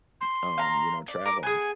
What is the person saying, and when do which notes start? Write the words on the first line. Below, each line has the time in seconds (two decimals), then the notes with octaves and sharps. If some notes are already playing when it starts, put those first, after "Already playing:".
y um, you know, traveling.
0.21 C6
0.58 F5 A#5
1.08 D5
1.25 A#4 D6
1.43 B3 G#4 G#5